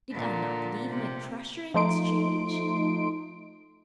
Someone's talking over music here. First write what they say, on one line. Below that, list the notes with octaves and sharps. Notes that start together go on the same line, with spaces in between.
"Did I not leave my treasure in exchange?"
A#2 D3
C3
F3 A3 D#4 C6 D7